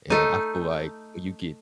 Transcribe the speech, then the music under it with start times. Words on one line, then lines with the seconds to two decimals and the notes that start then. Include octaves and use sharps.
and I feel like you get
0.10 A3 D#4